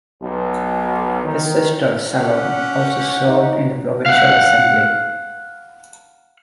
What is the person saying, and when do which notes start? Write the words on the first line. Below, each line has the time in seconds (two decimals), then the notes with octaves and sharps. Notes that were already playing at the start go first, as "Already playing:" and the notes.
His sister Salome also served in the provincial assembly.
0.22 B1
1.24 D#3
2.18 C#4 F#4 G4 F#5
3.29 D#4
4.06 F5 F#5